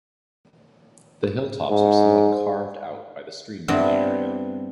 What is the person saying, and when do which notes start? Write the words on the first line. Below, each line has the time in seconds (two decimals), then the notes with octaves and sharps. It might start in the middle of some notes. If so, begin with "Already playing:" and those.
The hilltops are somewhat "carved" out by the streams in the area.
1.70 G#2
3.68 G2 B3 C4 E4